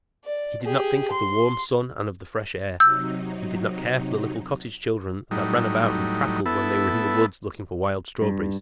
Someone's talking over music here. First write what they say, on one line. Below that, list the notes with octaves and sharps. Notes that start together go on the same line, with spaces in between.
He did not think of the warm sun and of the fresh air; he did not care for the little cottage children that ran about and prattled when they were in the woods looking for wild-strawberries.
D5
G4 G#4
C6
C3 F#3 D#4 E6 G6
A2 F#3 G3 D#4
B3 E4 A4
G2